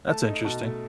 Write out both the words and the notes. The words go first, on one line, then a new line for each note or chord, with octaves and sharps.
That's interesting.
A3 A5
D#4
B2 A5
A3